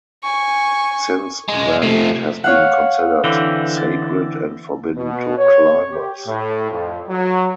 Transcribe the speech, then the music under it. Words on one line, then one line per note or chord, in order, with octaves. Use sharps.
Since then, it has been considered sacred and forbidden to climbers.
G#5 C#6
B1 G#3
C3 F3 A3
C#5 F5 F#5
D3 E3 C4
A6
B2
C#5
G4
A2
F2
F#3